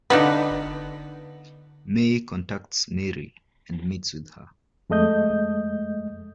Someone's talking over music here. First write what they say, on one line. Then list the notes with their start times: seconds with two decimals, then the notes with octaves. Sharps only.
May contacts Mary and meets with her.
0.10 D3 B3 D#4 F4 B4
4.90 F2 G#3 A3 D#5 G6